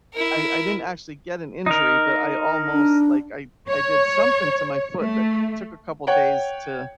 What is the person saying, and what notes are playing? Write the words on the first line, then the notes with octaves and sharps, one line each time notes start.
I I didn't actually get an injury, but I almost Like, I I did something to my foot that c took a couple days to,
E4 A#4
D#4 A#4
D4
C#5
A3
C#5 F#5 G5